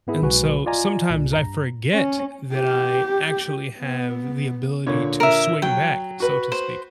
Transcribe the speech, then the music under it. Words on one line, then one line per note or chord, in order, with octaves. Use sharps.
and so sometimes I forget that I actually have the ability to swing back, so to speak.
G#2 B3 E4 G#4
B1 G#3 F#4 B4 G#5
F4 D5 D#5 G#5 A#5
C2 A#2
G2 A#5
C#4
G4
B3
A#2 D3 C#5
A#4 E5
F#3 G5
F#4 B4
C5